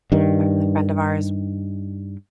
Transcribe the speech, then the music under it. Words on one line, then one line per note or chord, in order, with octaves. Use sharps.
the friend of ours
G2 D#3